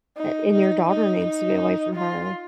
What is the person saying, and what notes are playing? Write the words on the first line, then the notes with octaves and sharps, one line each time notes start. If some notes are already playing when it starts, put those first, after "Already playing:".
a and your daughter needs to be away from her.
D#4
D#4
D#4
D#4
F4